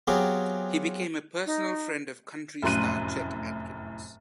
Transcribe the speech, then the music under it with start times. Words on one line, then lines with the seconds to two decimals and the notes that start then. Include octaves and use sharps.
He became a personal friend of country star Chet Atkins.
0.07 F#3 B3 C4 F4 G4 G#4
1.46 D#4
2.62 F1 F#2 A2 C6 F#6 D#7